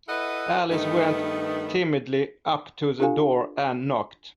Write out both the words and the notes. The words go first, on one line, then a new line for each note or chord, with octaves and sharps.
Alice went timidly up to the door, and knocked.
E4 A4 B4 D#5 E5 F#5
G2 D#3 A3 B3 D#4
D4 F4 G4 A4 F5 G#5